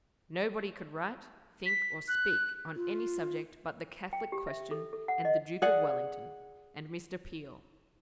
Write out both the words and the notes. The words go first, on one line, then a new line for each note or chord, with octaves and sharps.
Nobody could write, think, or speak on any subject but the Catholic question, and the Duke of Wellington, and Mr. Peel.
B6
F#6
F4
G5
G4
E5
A4
A4
F#5
D#5
G#4 D5 F#5